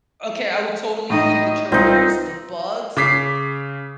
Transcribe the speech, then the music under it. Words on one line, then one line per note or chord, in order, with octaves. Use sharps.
O Okay, I would totally eat the turtles, the bugs,
A2 D#4 D#5
C2 C4 D#4 F4
C#3 D6 B6 C7